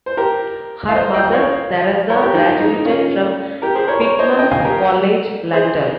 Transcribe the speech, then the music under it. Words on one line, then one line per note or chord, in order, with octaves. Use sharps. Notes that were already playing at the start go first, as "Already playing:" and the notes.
Her mother, Therasa, graduated from Pitman's College, London.
C5
G4 A#4
F5
C5 D#5
D#5 G5
C#5 F5
A#4 C#5
G4 A#4
D#4 G4
D#4
D#4
D#4
C#4 F4
G4 A#4
G#4 C5
A#4 C#5
A#4 C#5
C5 D#5
D#5 G5
F5 G#5
G4 A#4
G#4 C5